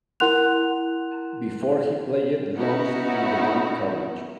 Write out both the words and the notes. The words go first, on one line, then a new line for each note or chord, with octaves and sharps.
Before he played drums in the band Carnage.
E4 A#4 F#5 C6 F#6 F7
B3 C#4 D#4 E4 F#4